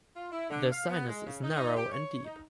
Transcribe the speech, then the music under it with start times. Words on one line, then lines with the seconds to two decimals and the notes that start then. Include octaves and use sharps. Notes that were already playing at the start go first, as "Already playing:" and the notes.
The sinus is narrow and deep.
0.16 F4
0.30 E4
0.50 D3
0.71 F5
0.89 B3
1.08 G#3
1.27 C#3
1.42 D#4
1.55 D#4
1.75 G4
1.91 C#5
2.25 D#4